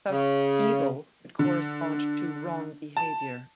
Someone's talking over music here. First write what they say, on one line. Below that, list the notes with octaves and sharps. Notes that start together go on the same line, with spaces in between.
Thus "evil" would correspond to wrong behavior.
C#3
D3
A5